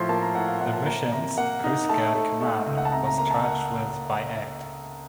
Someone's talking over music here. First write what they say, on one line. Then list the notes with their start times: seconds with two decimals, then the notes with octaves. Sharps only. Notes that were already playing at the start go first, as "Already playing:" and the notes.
The missions, Coast Guard Command was charged with by Act.
Already playing: A2 F3 C6
0.09 A#3 A5
0.22 A#5
0.35 A2 F#5
0.47 F5
0.61 A2 F#5
0.73 A5
0.86 A#3 A#5
1.12 C3 A#5
1.37 A#3 F#5
1.64 D#4
1.89 A3 A5
2.15 A3
2.40 A3
2.66 C#2
2.77 F#5
2.85 A5
2.92 C3 A#5
3.06 A#5
3.18 A#3 A#5
3.31 A5
3.44 A#3 F#5